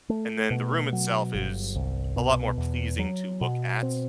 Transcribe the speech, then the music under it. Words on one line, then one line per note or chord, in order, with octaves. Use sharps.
and then the room itself is a lot more pleasing to look at.
A3
B2
F#3
G1
C2
B2
E2
F#3
B2
C4